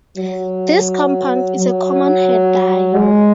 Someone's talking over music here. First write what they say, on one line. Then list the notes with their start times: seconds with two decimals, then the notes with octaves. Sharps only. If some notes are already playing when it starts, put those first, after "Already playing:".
This compound is a common hair dye.
0.18 F#3
1.57 F#3
2.95 G#3